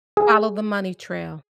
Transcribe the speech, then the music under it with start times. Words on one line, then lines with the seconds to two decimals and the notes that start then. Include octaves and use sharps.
Follow the money trail.
0.17 G#4